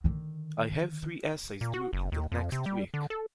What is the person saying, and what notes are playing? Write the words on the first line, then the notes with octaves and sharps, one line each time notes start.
I have three essays due in the next week.
D3 D#3
A#2
F#4
F#1
D#2
F2
C3
G3
D3
A4